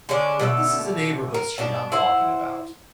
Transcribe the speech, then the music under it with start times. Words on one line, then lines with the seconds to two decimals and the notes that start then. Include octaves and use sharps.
but this is a neighborhood street I'm talking about,
0.09 D3 G#3 C#4 D4
0.40 B2 D3 A4 E5
1.34 A#4
1.58 B2 D4 A5
1.92 E4 C5 F#5